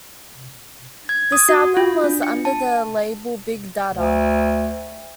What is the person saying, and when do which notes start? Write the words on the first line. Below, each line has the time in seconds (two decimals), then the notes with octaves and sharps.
This album was under the label Big Dada.
1.09 G#6
1.32 D#6
1.49 F#4
1.77 F4
2.04 D4
2.23 C#7
2.45 A5
3.93 D2